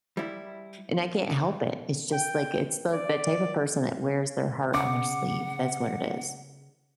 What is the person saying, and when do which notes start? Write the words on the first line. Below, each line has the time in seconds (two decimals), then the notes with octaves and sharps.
and I can't help it. It's just, like, it's the the type of person that wears their heart on their sleeve. That's what it is.
0.17 G3 E4
2.13 G5
2.93 D5
4.74 C#3 F#5 D6